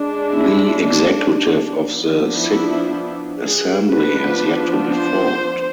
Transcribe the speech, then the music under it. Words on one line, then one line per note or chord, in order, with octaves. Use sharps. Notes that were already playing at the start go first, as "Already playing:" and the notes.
The Executive of the Sixth Assembly has yet to be formed.
Already playing: G#3 D4
E4
D4
D4
F3 B3 D4
E4
G#4
F3 B3 D4 B4
C5